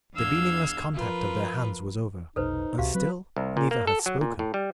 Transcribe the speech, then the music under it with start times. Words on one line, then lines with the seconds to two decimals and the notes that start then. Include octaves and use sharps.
The meaningless contact of their hands was over, and still neither had spoken.
0.14 E2 D4 F5 E6 G6 G#6
0.93 F3 F4 A#4 B4
2.36 F1 B1 D#4 A4 B4 C5
2.78 C#2 C3 F#4 G4 F5
2.95 F#3 C4 B4
3.36 C2
3.57 A#2
3.71 A#3
3.87 A4
4.06 F#3
4.21 A#2
4.39 A2
4.54 G3